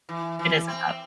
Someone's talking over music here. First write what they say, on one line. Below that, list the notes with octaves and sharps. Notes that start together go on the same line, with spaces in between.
It is a job.
E3
E3
C4